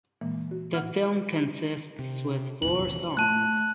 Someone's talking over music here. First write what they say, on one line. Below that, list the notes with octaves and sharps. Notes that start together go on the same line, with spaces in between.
The film consists with four songs.
A#2 E3 G#3 A#3
F#4
A2 F#5 F6
C3
F1 A#1 E2 F#7
A3 A5 F#6